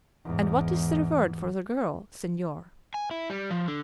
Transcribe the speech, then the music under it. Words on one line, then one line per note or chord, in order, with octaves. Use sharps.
"And what is the reward for the girl, senor?"
E2 G#2
G#5
E4
G3
F3
D3